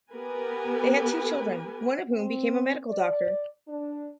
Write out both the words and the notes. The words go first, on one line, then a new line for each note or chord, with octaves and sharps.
They had two children, one of whom became a medical doctor.
B3 G4 A#4 B4 G#5
C4
D5
D4